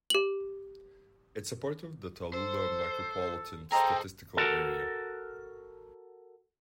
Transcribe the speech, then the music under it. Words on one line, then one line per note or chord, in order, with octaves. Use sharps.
It is part of the Tallulah Micropolitan Statistical Area.
G4 F#7
A4 C5
G#4 A4 C5 D#5 G5 A#5 E6
F#4 A4 A#4